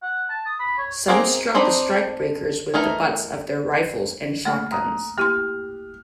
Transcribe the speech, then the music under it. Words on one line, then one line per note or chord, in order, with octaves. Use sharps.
Some struck the strikebreakers with the butts of their rifles and shotguns.
F#5
A5
D#6
B5
C#5
A#3 C4 D#4 G#4
C4 D4 D#4 C5 B5
E3 A3 D#4 A#4
A3 A#3 F#5 F6
A#5 D#6 F#6
A#3 E4 G4 C6 F6